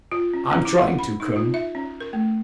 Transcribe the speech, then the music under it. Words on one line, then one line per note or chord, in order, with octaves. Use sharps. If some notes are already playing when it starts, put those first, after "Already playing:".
"I'm trying to, Colonel."
F4
C#4
C#4
E4
F#5
B5
D#4
F4
E5
C#4
A#4
A3